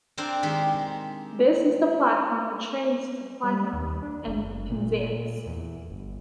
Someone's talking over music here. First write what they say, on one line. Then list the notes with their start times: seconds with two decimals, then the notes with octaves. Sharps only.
This is the platform for trains to Plymouth and Penzance.
0.17 C4 D4 A#4 C5 D5
0.43 D#3 G#3 G4 C5
3.43 G3
3.73 D#2
4.02 D4
4.27 F#1
4.69 A#2
5.46 E2
5.90 G1